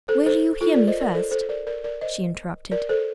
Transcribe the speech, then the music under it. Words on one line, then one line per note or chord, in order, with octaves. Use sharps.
"Will you hear me first?" she interrupted.
A4 C5
A4 C5
F4 A4
A#4 D5
C5 D#5
A#4 D5
A4 C5
A4 C5
A#4 D5
A#4 D5
A#4 D5
C5 D#5
A#4 D5
A4 C5